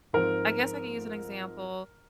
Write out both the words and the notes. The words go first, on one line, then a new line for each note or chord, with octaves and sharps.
I guess I could use an example.
G#2 F3 C4 A#4